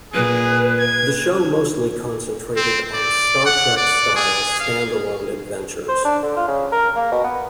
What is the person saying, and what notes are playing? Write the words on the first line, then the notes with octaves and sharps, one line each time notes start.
The show mostly concentrated on "Star Trek"-style standalone adventures.
A#2 G#4 B4
G#6
C4
D5
F#5
D5
G#4
F5
C5
D4
D3
F4
C#3
A#4
A#3
B2
B3